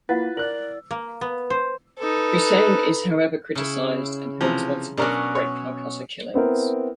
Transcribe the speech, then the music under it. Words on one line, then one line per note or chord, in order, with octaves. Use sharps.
Huseyn is however criticized and held responsible for the Great Calcutta Killings.
A#3 E4 F4 B4 F5 F#5 A6
A#4 D5 F#6 F#7
A#3
B3
C5
D#4 A4 B4
C#3 E4
C3 E3 F3 A#5
B2 F#3 C#4 D4 A#4 D5
C#5
B3 C4 E4 A#4